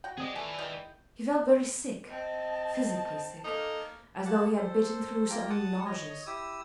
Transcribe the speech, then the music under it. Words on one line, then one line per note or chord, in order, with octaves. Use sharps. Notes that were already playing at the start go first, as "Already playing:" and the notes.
He felt very sick--physically sick--as though he had bitten through something nauseous.
F#4 G5
D#2 C4 G#4 D5 D#5 D#6
A3 B4 E5 G#5
D#3 E3 G#3 G6
C4 D#5 A5
A#3 D#4 A4
A#3 F#5 A5
A4 C5
A#3 F4 G5 A#5
F#5 A5 D#6
C#5 D#5
E4 G4 D#6 E6